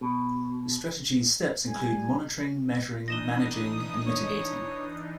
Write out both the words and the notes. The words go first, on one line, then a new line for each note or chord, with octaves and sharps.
The strategy's steps include monitoring, measuring, managing, and mitigating.
B2
G3 G#5
E3 D4 D#4 D#6 A#6 E7 G7
C#5